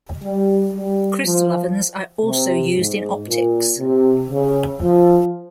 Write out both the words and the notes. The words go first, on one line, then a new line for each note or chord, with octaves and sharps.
Crystal ovens are also used in optics.
G3
G3
F3
C3
G#2
A#2
C3
C#3
F3